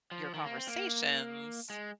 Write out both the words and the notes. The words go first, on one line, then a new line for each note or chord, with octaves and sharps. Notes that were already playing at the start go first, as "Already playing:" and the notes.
your conversations
F3
D#3
A#3
C4
A#3
G#3